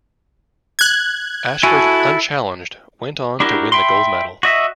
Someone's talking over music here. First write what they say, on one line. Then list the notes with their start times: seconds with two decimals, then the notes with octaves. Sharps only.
Ashford, unchallenged, went on to win the gold medal.
0.79 F#6 G#6
1.63 E4 F#4 A4 G#5
3.40 D4 E4 F#4 G4 A#4
3.72 E5 G5 B5 C6
4.43 F#4 D#5 E5